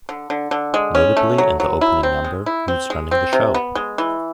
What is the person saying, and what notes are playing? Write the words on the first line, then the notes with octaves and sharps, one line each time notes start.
Notably in the opening number Who's running the show?
D3
D3
D3
G#3
C#4
A3
F#3
F#3
E4
C4
G#3
E4
C4
G#3
C4
C3
B3
G#3
E3